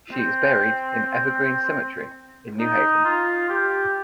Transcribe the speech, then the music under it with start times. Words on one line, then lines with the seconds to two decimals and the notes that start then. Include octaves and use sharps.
She is buried in Evergreen Cemetery in New Haven.
0.12 C4
2.60 D#4
3.05 F4
3.49 G4